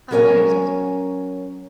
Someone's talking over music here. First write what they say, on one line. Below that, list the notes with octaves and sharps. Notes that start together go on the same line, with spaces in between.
Aw, nice.
F#3 C#4 A#4 C#5 G#5